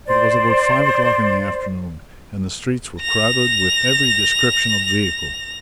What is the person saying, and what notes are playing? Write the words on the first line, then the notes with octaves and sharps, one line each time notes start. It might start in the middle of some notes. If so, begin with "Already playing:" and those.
It was about five o'clock in the afternoon and the streets were crowded with every description of vehicle.
C5 D5
A#6 F7